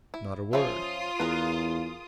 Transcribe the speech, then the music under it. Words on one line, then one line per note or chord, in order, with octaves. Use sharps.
"Not a word."
E4
F3 C#4 F4 E5 D#6
E2 G#4 A#4 B4